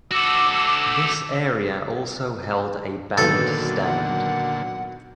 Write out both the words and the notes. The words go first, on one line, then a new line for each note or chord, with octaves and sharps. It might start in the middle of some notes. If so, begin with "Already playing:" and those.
This area also held a band stand.
F#4 A4 D6 E6
A#2 D3 D#3 F#3 B3 A4
F#5